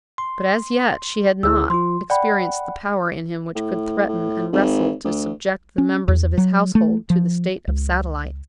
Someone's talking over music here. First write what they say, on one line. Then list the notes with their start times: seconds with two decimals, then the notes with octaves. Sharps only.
But as yet she had not experienced the power in him which could threaten and wrestle to subject the members of his household to the state of satellites.
0.18 C6
1.43 D2 E4 G#4 E6
1.70 F3 F4 C6
2.10 D5 F#5 G5 B5
3.55 A2
4.08 A2
4.52 G#1
5.05 D2
5.78 C#4
6.08 E2
6.38 F#3
6.75 A3
7.10 F3
7.68 C#2